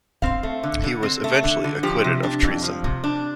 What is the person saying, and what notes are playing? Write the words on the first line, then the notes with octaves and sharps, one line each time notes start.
He was eventually acquitted of treason.
C4 F5
A3
D3
D3
C4
A3
D3
D3
F3 G4
C3
D4
F2
F3
C3
D4